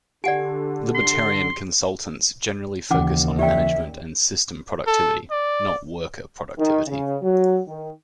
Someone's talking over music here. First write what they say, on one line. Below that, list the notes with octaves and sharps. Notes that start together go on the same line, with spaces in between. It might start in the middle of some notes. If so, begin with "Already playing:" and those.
Libertarian consultants generally focus on management and system productivity, not worker productivity.
D3 G4 D5 F#5 G#5
C6
D#2 C#3 E3 C#4 F#5 D6
G4 D5 E5 G5
A4
D5
D#3
C#3
F#3
D#3